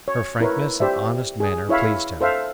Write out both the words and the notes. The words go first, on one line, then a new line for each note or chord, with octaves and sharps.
Her frankness and honest manner pleased him.
C#5
E4 A#4 B4 C#5
G4 C5 D5 E5
G#4
E4 C#5 E5 F5 B5
A4 C5 E5 F5